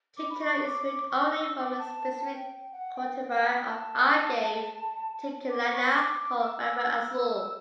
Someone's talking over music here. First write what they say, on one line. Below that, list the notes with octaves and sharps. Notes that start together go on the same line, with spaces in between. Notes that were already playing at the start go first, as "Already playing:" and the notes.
Tequila is made only from a specific cultivar of Agave tequilana called Weber Azul.
D6
B5
C#6
D6
D6
C#6
E6
E6
D6
A5
G5
F#5
G5
G5
A5
G5
B5
A5
D6
C#6
D6
D6
E6